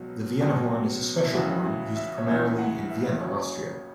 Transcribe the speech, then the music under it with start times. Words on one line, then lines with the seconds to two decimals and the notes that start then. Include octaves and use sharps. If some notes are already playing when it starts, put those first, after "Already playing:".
The Vienna horn is a special horn used primarily in Vienna, Austria.
Already playing: C#2 B2 F#3
0.40 C#2 B2 F#3
1.23 E4
1.33 C#2 C#3 E3 F#4
1.65 E4
1.96 E5
2.18 C#5
2.26 C#2 C#3 E3 E5
2.58 F#5
2.89 E5
2.98 F#5
3.07 E5
3.20 F#1 F#2 C#3 F#3 C#5